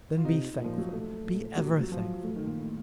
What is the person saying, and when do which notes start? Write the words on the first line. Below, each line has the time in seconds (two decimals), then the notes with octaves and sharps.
Then be thankful--be ever thankful.
0.17 F4
0.25 C3 D#4
0.58 A#2
0.64 F3
0.78 F#3
0.92 A3
1.25 A#2
1.58 A#2 F#3
1.80 F#3
1.92 F3 F#3
2.24 A3
2.36 D#3
2.46 A#2
2.58 A2